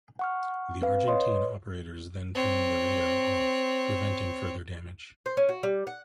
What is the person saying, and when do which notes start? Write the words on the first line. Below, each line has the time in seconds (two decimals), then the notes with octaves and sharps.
The Argentine operators then turned their radar off, preventing further damage.
0.19 F#5 C#6 F6
0.82 C4 B4 F5
1.08 B4 C#5 D#5 C6
2.35 C4 C#5
5.26 C5
5.37 C#4
5.49 F#4
5.63 G3
5.87 F#5